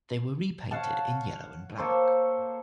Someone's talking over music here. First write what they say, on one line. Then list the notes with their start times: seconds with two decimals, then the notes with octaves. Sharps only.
They were repainted in yellow and black.
0.71 C#5 F5 F#5 A5
1.78 A#3 A4 C5 C#5